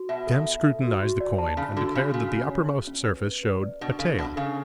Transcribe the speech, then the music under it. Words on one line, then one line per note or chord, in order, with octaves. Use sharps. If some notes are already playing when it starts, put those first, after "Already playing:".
Jem scrutinized the coin, and declared that the uppermost surface showed a tail.
Already playing: F#4
B2 E5
A4
E5
A4
F#4
F#4
D5
A5
C#3 B5
D3 F#4
C#3 B5
C#3 F#4
C#4
C#5
C#4
C#4
B4
B4
B4
D5
B2 D4
C#3 A4
B2 D4
C#3 A4